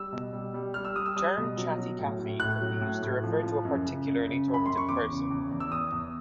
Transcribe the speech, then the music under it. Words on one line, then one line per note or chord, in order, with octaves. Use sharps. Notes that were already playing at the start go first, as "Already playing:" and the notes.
Term "Chatty Cathy" can be used to refer to a particularly talkative person.
Already playing: G3 E6
B2
G3
G3
G3 F6
E6
G3 D#6
E6
G3 D#6
B2
F#3
F#3
A2
A2
A2 F#6
F#3
A2
A2
F3
F3
F#2
C#3
F#2
C#3
F#2
B5
F#2 C6
C#6
E2 D6
C#3
E2
E2
E6
E2 D#6
E2